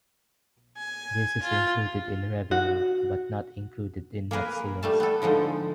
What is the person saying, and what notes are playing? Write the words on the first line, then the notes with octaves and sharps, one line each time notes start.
This is included in revenue but not included in net sales.
G#5
F4
F#4
A#3 G#4 A#4 B4
G3 A3 A5
B3 A4
D3 F3 G#3 D#4